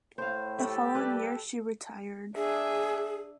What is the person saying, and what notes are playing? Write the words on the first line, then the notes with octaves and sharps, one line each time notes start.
The following year she retired.
A2 C5 F5
A3 G4 A4
G3 B4 D5
D4 G#4 E5